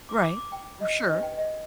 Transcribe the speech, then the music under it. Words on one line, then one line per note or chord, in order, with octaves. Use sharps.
Right, r sure.
D6
D6
D6
G5
D#5
D4 G4 B4 D#5
G5
D#5